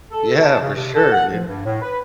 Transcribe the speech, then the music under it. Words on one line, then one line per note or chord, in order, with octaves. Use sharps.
Yeah, for sure, dude.
A4
A5
C#3
C3
A4
F#5
F3
G2
A2
B4